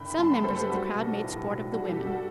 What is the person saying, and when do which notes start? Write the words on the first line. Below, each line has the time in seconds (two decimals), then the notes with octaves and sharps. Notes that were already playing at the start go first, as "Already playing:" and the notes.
Some members of the crowd made sport of the women.
Already playing: F#1 D3 G5 B5
0.10 B5
0.19 F#2 A5 C6
0.31 G5 B5
0.44 A3 A4 C5
0.57 G4 B4
0.70 G3 F#4 A4
0.95 B1
1.22 A2
1.47 B1
1.72 G3 F#4
1.85 A4
1.89 G4
1.97 G2
2.06 F#4 A4